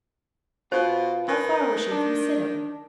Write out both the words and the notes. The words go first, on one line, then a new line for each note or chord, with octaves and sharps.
How far was she from Sidham?
B2 F4 C5
D#3 B4
D4